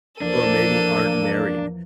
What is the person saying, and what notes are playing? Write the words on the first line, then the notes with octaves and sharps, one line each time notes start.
or maybe aren't married.
E2 F3 A#3 D4 A4 D#7